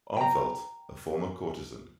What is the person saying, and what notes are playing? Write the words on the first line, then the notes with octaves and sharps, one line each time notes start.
Armfeldt, a former courtesan.
G5 A#5